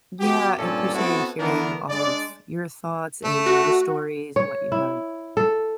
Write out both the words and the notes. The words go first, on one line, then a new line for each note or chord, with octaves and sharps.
Yeah, I appreciated hearing all of your thoughts and your stories and what you've learned.
B3 F#4 G4
G2 A#2 C#4 A4 D5
B3 C4 E4 F#4 A4
D3 E3 B3 D4 A#4
G#3 D4 D5
A3
F#4
C#5
E4
A4